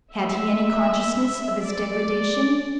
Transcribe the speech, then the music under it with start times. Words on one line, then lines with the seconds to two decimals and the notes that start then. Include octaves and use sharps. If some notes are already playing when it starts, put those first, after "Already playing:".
Had he any consciousness of his degradation?
0.15 E5
1.64 D5